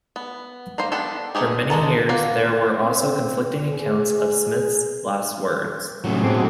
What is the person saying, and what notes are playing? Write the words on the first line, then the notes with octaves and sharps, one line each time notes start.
For many years, there were also conflicting accounts of Smith's last words.
B3
A#3 C5 F5 A#5
B3 D4 G4 A4
A3 B3 D#4 G4 G#4
G#3 A4 A5 A#5
A#3 F5 F#5
C4
G#4
A2 C3 F#3 A3 C#4
G#2 B2 C4 F#4 G#4 A4